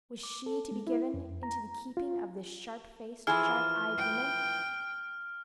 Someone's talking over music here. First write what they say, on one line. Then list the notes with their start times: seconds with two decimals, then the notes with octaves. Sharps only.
Was she to be given into the keeping of this sharp-faced, sharp-eyed woman?
0.23 D6
0.46 A4
0.71 G#3
0.87 E4
1.14 F2
1.43 A#5
1.97 F4
3.27 E3 F3 E4 G#4 F6
3.98 G5